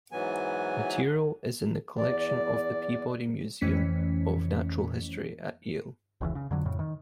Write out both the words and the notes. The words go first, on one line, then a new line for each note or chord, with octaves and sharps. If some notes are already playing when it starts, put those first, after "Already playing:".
Material is in the collection of the Peabody Museum of Natural History at Yale.
G#2 E3 F#3 B3 G#5
E2 D5
F2 E3 A3 C#4 B6 C#7
F1 C#2 E3
C#3
F2 D3 F#3
F2 A2 C#3
D#3